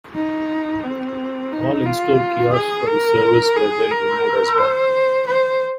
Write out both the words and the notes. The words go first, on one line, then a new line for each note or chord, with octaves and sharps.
All in-store kiosks for the service were then removed as well.
D#4
C4
D#4
F4
G#4
A#4
G#4
A#4
C5
C5